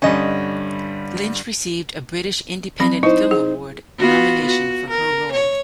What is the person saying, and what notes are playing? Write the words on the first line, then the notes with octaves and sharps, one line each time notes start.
Lynch received a British Independent Film Award nomination for her role.
G2 D3 G3 C#4 D#5
F#3 C4 B5
D#4 E4 C5
G#4
B3 F4 F#4
F#4
A#4
C#5